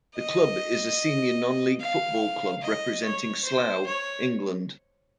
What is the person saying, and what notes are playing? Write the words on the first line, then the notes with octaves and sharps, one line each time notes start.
The club is a senior non-League football club representing Slough, England.
D#5
F5
D#5
C#5
C5
C#5